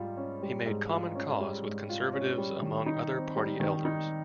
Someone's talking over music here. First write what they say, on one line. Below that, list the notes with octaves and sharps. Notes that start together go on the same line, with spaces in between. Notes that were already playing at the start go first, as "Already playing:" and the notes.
He made common cause with conservatives among other Party elders.
Already playing: G#2 G3 F4
C#4
G3
G#2
F4
C#4
G3
G#2
F4
C#4
G3
D#3
D#4
C4
G3
D#3
D#4